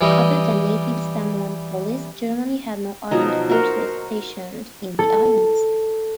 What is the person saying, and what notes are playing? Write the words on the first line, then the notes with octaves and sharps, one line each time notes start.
Other than native Samoan police, Germany had no armed forces stationed in the islands.
E3 G3 D#5
B2 F3 F#3 D#4
F#4 A#4 C5
A4